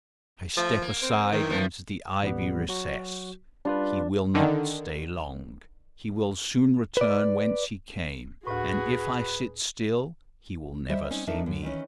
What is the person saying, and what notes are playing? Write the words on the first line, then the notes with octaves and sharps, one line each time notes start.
I step aside into the ivy recess; he will not stay long: he will soon return whence he came, and if I sit still he will never see me.
F3 A3
A#3
C4
D#2 D#3
A2 F3 B3
A1 G3 B3
F#3 F#4
G3 D4 F4 B4
D3 D#3
B4 D5
D2 A2 F#4 G#4 B4
G3 C5 D#5 E5
C4 C#4 D#4
F2 D4 D#4 A#4 E5
F#2
D#3 E3 C#4